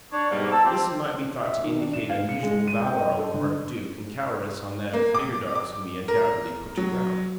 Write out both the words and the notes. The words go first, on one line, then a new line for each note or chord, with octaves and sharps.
This might be thought to indicate unusual valour on the part of Duke and cowardice on that of the bigger dogs whom he undoubtedly put to rout.
D4 C#5
G#2 B2 G3 A#3
A5 E6
F3 C4 G4
E5
D#3
D4
E7
F5
C#7
G#3
D#7
G5
D#5
A4
D3
A#3
D6
D6
A#4
F#3